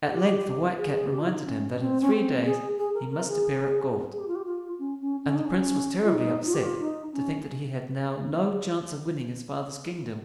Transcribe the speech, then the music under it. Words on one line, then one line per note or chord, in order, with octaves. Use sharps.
At length the White Cat reminded him that in three days he must appear at court, and the Prince was terribly upset to think that he had now no chance of winning his father's kingdom.
G4
G#4
G#4
G4
F4
D#4
C#4
C4
C#4
C4
G#4
G#4
A#4
A#4
G#4
G#4
G4
F4
G4
F4
C#4
C#4
C#4
D#4
C#4
F4
D#4
F4
G4
F4
D#4
C#4